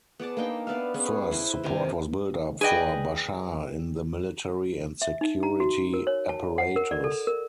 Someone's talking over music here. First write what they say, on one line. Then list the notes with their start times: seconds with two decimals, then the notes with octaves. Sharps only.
First, support was built up for Bashar in the military and security apparatus.
0.19 B3 G#4 D5 A5
0.37 A#3 D4 D#4 G5
0.67 B3 D5 E5 F5
0.94 B3 C#4 G#4
1.31 E4 B4 C5
1.64 C3 D#3 G#5 A#5
2.61 G#4 B4 D5 D#5 G5
5.02 E5
5.21 D#4
5.43 A#5
5.60 F#4
5.94 A#4
6.07 C#5
6.29 A5
6.58 F#5
6.76 A#4
6.91 D5
7.04 A4
7.27 A#4